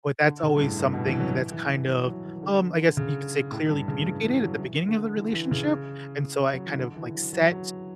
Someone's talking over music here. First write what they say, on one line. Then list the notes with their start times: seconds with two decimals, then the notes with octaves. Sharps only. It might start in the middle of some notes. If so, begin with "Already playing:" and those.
but that's always something that's kind of, um I guess you could say clearly communicated at the beginning of the relationship? And so I kind of, like, set
0.24 D3
0.43 C#3
0.57 G2
0.60 A2
0.79 G2
0.93 B2
1.06 E3
1.20 F#3
1.34 E3
1.52 E3
1.88 E3
2.07 F#3
2.24 E3
2.36 E3
2.43 D3
2.97 C#3
3.51 A2
3.70 G2
3.88 C#3
4.06 E3
4.24 E3
4.43 F#3
4.61 E3
4.88 D3
5.15 E3
5.33 E3
5.51 C#3
6.54 F#3
6.66 E3
6.78 D3
6.96 E3
7.09 E3
7.15 F#3
7.33 F#3
7.52 F#3